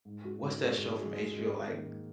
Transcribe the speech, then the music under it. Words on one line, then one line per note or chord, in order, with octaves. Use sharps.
what's that show from HBO, like
G#2
G#3 F#4
G#2
G#3 F#4
G#2
G#3 F#4
G#2
G#3 F#4
G#2
D#3 A#3
G#2